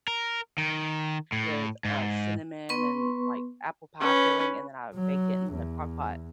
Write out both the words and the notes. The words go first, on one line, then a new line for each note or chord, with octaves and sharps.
with, uh, cinnamon and, like, apple pie filling, and then I bake it in the Crock-Pot,
A#4
D#3
A2
G#2
B3 B4 C6 C#6
C#4 B4
F#3
E2